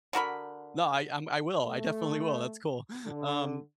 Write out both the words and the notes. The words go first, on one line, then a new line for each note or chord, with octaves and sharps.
Nah, I I'm I will, I definitely will, that's cool. Um,
D3 F#4 A#4 B5
A3
D3